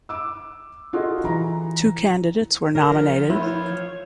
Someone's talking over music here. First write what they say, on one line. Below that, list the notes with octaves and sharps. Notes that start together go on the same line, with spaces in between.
Two candidates were nominated.
D6 E6
F4 F#4 G#4 A4 D#5
E3 A#5
A#4
F3
E4 C#5